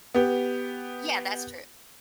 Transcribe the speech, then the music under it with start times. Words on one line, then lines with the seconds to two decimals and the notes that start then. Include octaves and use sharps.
Yeah, that's true.
0.14 B3 G4